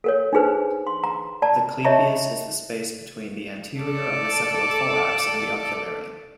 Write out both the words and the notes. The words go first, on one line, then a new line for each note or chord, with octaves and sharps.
The clypeus is the space between the anterior of the cephalothorax and the ocularium.
A4 A#4 C#5
D4 D#4 G#4 B4 C5
C6
A#5
D5 A5 A#5
C#5 D#5 E5 A5 A#5 C#6
A4 D5